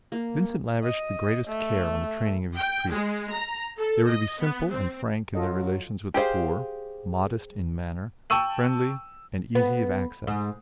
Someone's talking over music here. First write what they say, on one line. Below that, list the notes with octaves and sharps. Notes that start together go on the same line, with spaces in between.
Vincent lavished the greatest care on the training of his priests. They were to be simple and frank in their relations with the poor, modest in manner, friendly and easy of access.
A#3
D#5
A3
G5
G#3
A#5
A4
D#5
B3
C4
F#3 F4 A4 D#5
G4 G#4 C5 F5
G5 A5 C#6 E6 D#7 F#7
B3
G#2